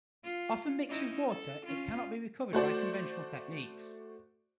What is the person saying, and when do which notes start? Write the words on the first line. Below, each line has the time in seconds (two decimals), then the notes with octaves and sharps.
Often mixed with water, it cannot be recovered by conventional techniques.
0.23 F4
0.88 C#4 D#4 E4
1.29 A4
1.65 C#4 F4
2.53 A3 F#4 C5 D5